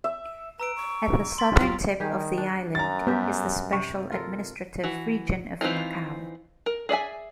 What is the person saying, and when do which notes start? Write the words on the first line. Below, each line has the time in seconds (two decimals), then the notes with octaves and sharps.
At the southern tip of the island is the Special Administrative Region of Macau.
0.04 E5
0.60 B4 A#5 E6 D7
0.76 C#6
1.38 C6 A6 B6
1.60 F#3 F4 G4
2.00 D#3 G3 G4 G#4
2.38 D4
2.75 F#2 A#5 A6
3.07 G2 B3 G4 E5
3.73 C3 C#6
4.12 F4 A4 A#4
4.84 E3 F#4
5.61 E3 C4 D#4 F4
6.66 A#4
6.89 G#4 D5 E5 G#5